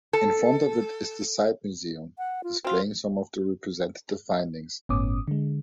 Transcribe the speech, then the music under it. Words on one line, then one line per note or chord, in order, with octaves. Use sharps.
In front of it is the site museum, displaying some of the representative findings.
A4
F#5
F4
C4 F4 F#4
G1 A2 B3 C#4 D6 D#6
D3 G#3